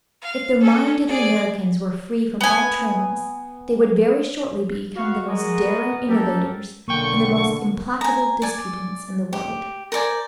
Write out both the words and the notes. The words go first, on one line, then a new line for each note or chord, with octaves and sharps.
If the mind of the Americans were free from all trammels, they would very shortly become the most daring innovators and the most implacable disputants in the world.
F5
C#4 A4
G#4 D5
B3 G#5
B3 F#4 F5 C#6
G#3 F#4 A#4 D#5
B3
F#2 G4 A4 A#4
B1 D3 A#3 G5 C#6
G#5 A#5
D5 G#5
G4
A#4 C5 D5 G#5